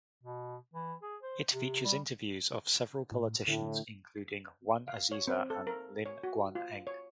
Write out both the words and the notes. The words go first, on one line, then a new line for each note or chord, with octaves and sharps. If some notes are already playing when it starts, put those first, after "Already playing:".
It features interviews of several politicians including Wan Azizah and Lim Guan Eng.
B2
E3
G#4
C5
C3
G3
A2
A2 D3
F5
C#5
C4
A4
A#4
C#5
F#4
F4
C#5